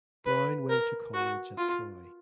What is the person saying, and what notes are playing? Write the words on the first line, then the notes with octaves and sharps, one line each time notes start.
Brown went to college at Troy.
B4
A#4
F#4
F4